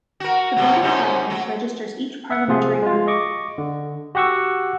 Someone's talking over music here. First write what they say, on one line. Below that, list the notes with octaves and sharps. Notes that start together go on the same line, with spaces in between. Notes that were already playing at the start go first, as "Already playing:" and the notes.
The board of parliament registers each parliamentary group.
F#4 A#4
A2 C3 F#3
F#2 C3 D#4
F#3
E5 F#5
C3 F3 F4 G#4
G#3 F4
D#5 C#6 D6
D3
F#4 G4 F#5 C#6 E6